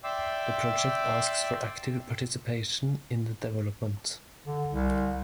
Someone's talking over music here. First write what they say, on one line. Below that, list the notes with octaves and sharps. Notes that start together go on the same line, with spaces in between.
The project asks for active participation in the development.
D5 E5 G5 C6 D6 E6
D3
C2